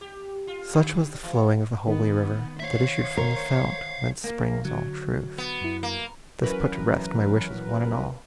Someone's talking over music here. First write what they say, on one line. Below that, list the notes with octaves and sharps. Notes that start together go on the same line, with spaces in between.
Such was the flowing of the holy river That issued from the fount whence springs all truth; This put to rest my wishes one and all.
G4
F4
D3
E3
D#3 B3
C5 C#5 E5 F5
A#4
A#3
D3 F#3
B3
F#2 E4
A#3
E3 F#3 C#4 A#4 B4